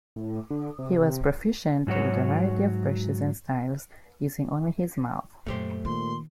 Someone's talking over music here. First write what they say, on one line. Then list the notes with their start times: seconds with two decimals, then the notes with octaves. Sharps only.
He was proficient with a variety of brushes and styles, using only his mouth.
0.16 A2
0.50 D3
0.79 C3
1.87 G#2 F#3 F#4 C#5
5.46 F#2 A#2 A3 G4 C5
5.85 A#2 D#3 C6